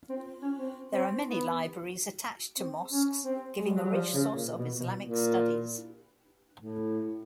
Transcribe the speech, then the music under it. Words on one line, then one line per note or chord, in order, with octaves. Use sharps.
There are many libraries attached to mosques giving a rich source of Islamic studies.
C4
C#4
C4
C4
B3
C4
C#4
C4
G#3
G3
F#3
G3
F3
C#3
A#2
B2
B2
A#2
A2